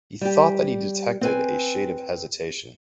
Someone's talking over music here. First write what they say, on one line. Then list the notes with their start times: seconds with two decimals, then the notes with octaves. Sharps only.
He thought that he detected a shade of hesitation.
0.21 G3 G4
1.21 C4 B4 G#5